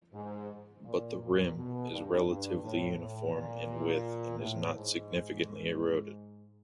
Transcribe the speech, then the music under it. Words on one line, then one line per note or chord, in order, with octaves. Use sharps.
But the rim is relatively uniform in width and is not significantly eroded.
G#2
A#2
A#2
B2
G2
G2
A2
A2
A#2
A2
G#2